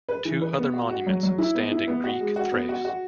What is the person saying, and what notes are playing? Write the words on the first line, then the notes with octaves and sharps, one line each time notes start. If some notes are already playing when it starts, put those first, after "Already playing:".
Two other monuments stand in Greek Thrace.
B4
E3
B4
B3
F#4
F#4
F#3
F#3
E4
B3
E4
B3
F#4
G#3
F#4
B3
F#4
F#4